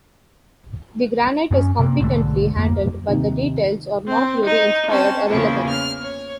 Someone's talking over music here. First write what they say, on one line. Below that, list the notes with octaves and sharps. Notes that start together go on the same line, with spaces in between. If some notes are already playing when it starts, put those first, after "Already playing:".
The granite is competently handled, but the details are not very inspired or elegant.
F#2 B3 C#4
C3 A#3
B1 G#2 D3 A3
F2 A#3
D#2 C3 D#4
C4
D#4
C4 C#4 A5
E2 C#3 F3 A#3 E4
F6
C#5